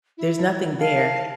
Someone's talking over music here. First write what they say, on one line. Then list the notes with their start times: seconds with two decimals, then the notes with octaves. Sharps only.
there's nothing there.
0.17 E4
0.80 F5 A5